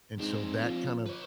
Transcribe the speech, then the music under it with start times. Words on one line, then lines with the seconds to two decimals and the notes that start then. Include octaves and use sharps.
and so that kind of,
0.19 G#2 C4 D4
0.62 F3
1.06 B4 C#5